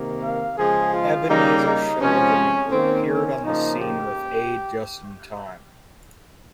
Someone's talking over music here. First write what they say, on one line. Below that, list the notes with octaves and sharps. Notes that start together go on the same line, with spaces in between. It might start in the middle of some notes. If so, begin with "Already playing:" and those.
Ebenezer Sheldon, who appeared on the scene with aid just in time.
Already playing: C3 D#3 A#3
F5
C#3 F3 G#3 G#4
F4
C#3 G3 A#3 D#4
D#4
C3 F3 G#3 C#4
D#3 A#3 C4
C#4
C#3 F3 A#3 D#4
G4